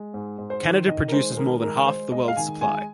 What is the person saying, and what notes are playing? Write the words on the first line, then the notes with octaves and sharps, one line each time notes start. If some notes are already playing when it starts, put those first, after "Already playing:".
Canada produces more than half the world's supply.
Already playing: G#3
G#2
G#2
C5
D#3
D#3 D#5
A#4
G#3 C5
C5
D#3 A#4
G#3 A#4
G#3 C5
G#3 D#5
F5
D#3 G#5
G#3 G#5